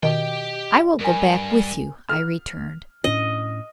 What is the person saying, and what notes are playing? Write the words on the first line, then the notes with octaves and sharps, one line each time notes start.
"I will go back with you," I returned.
B2 D#3 G4 D#5 G5
G2 A#4 G#5
F6
A2 C#4 D4 D#5